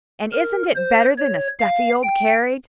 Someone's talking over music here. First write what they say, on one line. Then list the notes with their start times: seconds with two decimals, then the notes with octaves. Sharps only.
"And isn't it better than a stuffy old carriage?"
0.33 A#4
0.75 C5
1.18 C#5
1.60 F5
2.03 G5